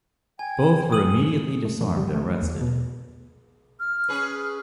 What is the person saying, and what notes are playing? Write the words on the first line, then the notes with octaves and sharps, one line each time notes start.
Both were immediately disarmed and arrested.
G5 G#5 G#6
D#6 D#7 F#7
A3
F3
G3
A3
E2
B2
F6
C#4 G#4 B4